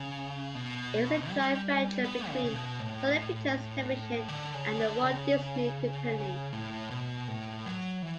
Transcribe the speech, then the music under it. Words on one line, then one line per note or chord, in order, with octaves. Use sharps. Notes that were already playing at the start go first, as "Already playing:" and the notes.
It is a joint venture between Sony Pictures Television and The Walt Disney Company.
Already playing: C#3
B2
G3
B3
C#3
C#3
B2
A2
D3
C#3
D3
C#3
A2
B2
A2
F#3
E3